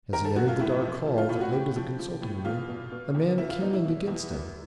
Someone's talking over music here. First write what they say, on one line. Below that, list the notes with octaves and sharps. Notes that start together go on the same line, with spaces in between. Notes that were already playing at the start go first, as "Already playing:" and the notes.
As he entered the dark hall that led to the consulting-room a man cannoned against him.
D#3 A#4
A4
F#2 F#4
F4
A2 E4
F3
F3
F4
A2 F4
F#4
A2 G4
F3
F3
A2
E2 F4
B2
B2
E2
E2 E4
F4
B2 D#4
E4
B2
E2
F#2